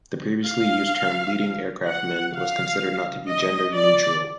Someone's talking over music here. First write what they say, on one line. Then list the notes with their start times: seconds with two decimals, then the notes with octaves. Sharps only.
The previously used term "leading aircraftman" was considered not to be gender neutral.
0.48 F5
1.87 F#5
2.34 F5
3.28 D#5
3.74 D5